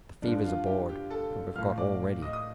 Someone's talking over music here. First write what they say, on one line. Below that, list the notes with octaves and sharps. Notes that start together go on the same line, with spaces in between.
The fever's aboard, and we've got all ready.
G2 D3 F3 D4 D5
F4 F5
G4 G5
G4 G5
A4 A5
A2 F3 F5 F6
D5 D6
D#5 D#6
D#6